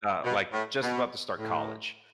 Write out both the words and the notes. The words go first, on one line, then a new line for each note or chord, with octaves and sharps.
uh, like, just about to start college,
B2
A2
B2
A2